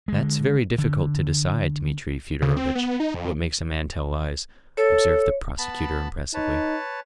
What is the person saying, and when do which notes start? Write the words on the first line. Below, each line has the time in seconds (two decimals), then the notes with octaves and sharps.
"That's very difficult to decide, Dmitri Fyodorovitch, what makes a man tell lies," observed the prosecutor impressively.
0.08 D3 G#3
0.78 D3
2.42 C#3
2.56 C4
2.75 B3
3.00 D#4
3.14 F2
4.77 A4 C#5
5.58 B3 A5 B5
6.34 D#4 B4 C#5 A5